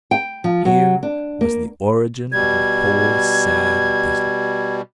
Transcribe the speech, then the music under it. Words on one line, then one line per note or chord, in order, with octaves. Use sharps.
Here was the origin of the whole sad business.
G5
F3
F#3
D4
A#3
B2 G3 G#6